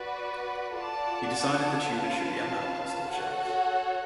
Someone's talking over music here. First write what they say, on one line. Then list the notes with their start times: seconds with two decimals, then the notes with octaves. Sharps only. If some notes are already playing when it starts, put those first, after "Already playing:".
He decided the tuna should be allowed on store shelves.
Already playing: F#4 B4 D5
0.76 F4 A4 D5 F#5 A5
1.92 C#4 F4 B4 F5 A5
3.10 F#4 A4 C#5 F#5